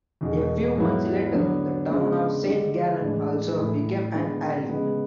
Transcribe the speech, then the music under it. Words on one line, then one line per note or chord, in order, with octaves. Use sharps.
A few months later, the town of Saint Gallen also became an ally.
E2 B2 G#3
G#2 F#3 B3 E4
D3 F#3 B3 D4
C#3 G#3 B3 D4
D3 G#3 D4
A2 E3 G#3 D4
A2 E3 A3 E4
D3 G#3 B3 D4
C#3 G#3 B3